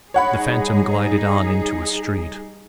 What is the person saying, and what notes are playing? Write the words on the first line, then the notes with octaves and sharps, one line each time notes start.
The Phantom glided on into a street.
G3 D#4 G#4 C#5 F#5 B5